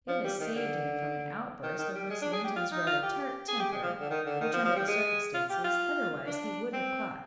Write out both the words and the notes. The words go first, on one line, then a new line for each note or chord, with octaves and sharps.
It has saved him from an outburst of Miss Linton's rather tart temper, which, under the circumstances, otherwise he would have caught.
F3
G3
D#3
D3
D#3
D#3
G3
G#3
D4
G#4
G4
F4
D#4
F4
G4
G#4
G4
G#3
F3
D3
D#3
D3
D#3
F3
F3
G3
G#3
F4
G4
F4
D4
C4